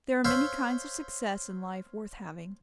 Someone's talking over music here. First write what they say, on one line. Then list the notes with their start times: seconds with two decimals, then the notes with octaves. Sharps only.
There are many kinds of success in life worth having.
0.25 C5 C#5 E5 F5